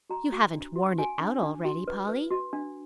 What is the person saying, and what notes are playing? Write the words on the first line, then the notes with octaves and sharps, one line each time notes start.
"You haven't worn it out already, Polly?"
F#4 A#5
F#4
D4
F#4
F#4 G#5
D4
D4
F#4
B4
B4
F#4
D4